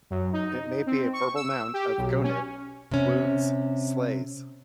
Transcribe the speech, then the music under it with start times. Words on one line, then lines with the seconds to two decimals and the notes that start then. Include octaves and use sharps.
It may be a verbal noun of "gonid" 'wounds, slays'.
0.10 F#2
0.33 D#4
0.86 C4
1.13 C#6
1.35 E6
1.74 G4
1.98 B1
2.23 C#4
2.91 C3 C#4